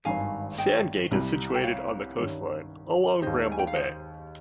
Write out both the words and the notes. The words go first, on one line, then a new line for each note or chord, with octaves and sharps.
Sandgate is situated on the coastline, along Bramble Bay.
G#1 G2 D#3 F5 G#5
D#5 G5
C2 C3 G3
G5
C#5 F5
G2 D#3 G3 C#4
D#2 D#3 G#3 D#4 G4 C5 D#5
G#5
G5
F5
C5 D#5